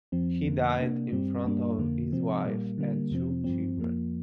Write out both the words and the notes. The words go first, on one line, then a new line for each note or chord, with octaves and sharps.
He died in front of his wife and two children.
F2 F3 C4
F2 D3 A#3
C3 A#3 D4
G2 G3 C4
G2 G3 A#3 D4
F2 D3 A#3
C3 F3 C4
A#2 G3 A#3
D3 G3 A#3
F2 C3 F3 C4
G2 F3 C4
F2 F3 A#3